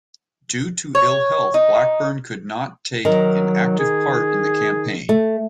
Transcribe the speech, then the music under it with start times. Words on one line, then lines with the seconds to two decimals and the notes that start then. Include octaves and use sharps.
Due to ill health, Blackburn could not take an active part in the campaign.
0.95 C#5
1.54 D#4
3.05 D#3 F#3 A#4
3.79 G#4
5.09 A3